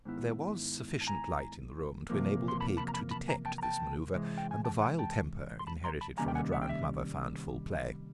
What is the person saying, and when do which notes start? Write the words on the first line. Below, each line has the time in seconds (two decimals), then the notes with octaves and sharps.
There was sufficient light in the room to enable the pig to detect this manœuvre, and the vile temper, inherited from the drowned mother, found full play.
0.05 G#2 D#3 B3 E4
1.01 A5
1.07 G#5 A#5
2.10 E2 C3 F3 A#3
2.48 C6
2.60 A5 B5
2.77 A5 B5
2.88 A#5
2.94 A5 B5
3.11 A5 B5
3.28 G#5 A#5
3.46 G5 A5
3.58 A#5
3.62 G5 A5
4.14 C3 E3 G#3
4.38 G5
4.51 G#5
4.64 G5 A5
4.82 F#5 G#5
4.99 G5 A5
5.59 C6
5.67 A5 B5
5.84 A#5 C6
6.01 A5 B5
6.18 C3 D#3 G3 A#3 C#4 G#5 A#5
6.28 G5
6.35 F#5 G#5
6.52 E5 F#5
6.62 G5
6.69 E5